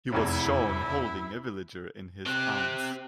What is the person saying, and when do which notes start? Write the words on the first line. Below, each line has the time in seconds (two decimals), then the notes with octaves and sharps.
He was shown holding a villager in his hands.
0.13 F1 E2 E4 G#6
2.26 C4 G4 F#6